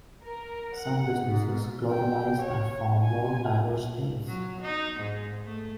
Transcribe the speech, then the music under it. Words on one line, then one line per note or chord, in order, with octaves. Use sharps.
Some businesses globalize and form more diverse teams.
A#4
F#5
G#2
G5
C#5
G#5
F#3
D#4
G#2
A3